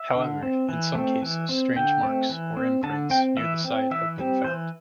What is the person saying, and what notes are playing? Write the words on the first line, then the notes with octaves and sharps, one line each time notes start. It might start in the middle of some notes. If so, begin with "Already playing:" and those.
However, in some cases, strange marks or imprints near the site have been found.
Already playing: E5
D3
C4
E3
A3 C4
E3
C4
D3 G5
A3 C4
E3
C4
D3 A5
C4 G5
E3 E5
C4
E3 E5
G3 C4
E3 C5